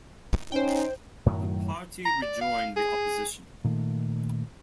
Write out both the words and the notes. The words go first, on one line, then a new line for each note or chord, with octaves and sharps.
The party rejoined the opposition.
C#4 D#4 C5 G5
F#2 A2 D#3 F#3
A#5
D5
F5
G#4
A#2 D#3 A3